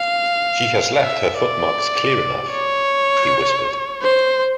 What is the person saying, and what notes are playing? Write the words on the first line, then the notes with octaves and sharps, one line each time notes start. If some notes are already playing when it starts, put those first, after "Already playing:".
"She has left her footmarks clear enough," he whispered.
Already playing: F5
E5
D5
C#5
C5